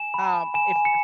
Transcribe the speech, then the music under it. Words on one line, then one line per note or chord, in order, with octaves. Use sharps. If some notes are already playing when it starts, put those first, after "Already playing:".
Um, if if
Already playing: G#5 E7
B5
B5
G#5 E7
G#5
C#7